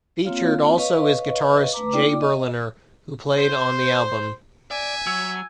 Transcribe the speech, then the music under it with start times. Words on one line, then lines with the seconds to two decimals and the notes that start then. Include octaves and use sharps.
Featured also is guitarist Jay Berliner, who played on the album.
0.25 A#3 C4 F4 C#5 F5
0.77 B4 C#5 D#5 F5 C#6
1.73 A3 B4 A#5 D6
1.92 A#3 D#4 F4 D5 G5 D6
2.21 D#5
3.37 C5
4.71 D5 E5 G#5
5.07 F#3 E6 G#6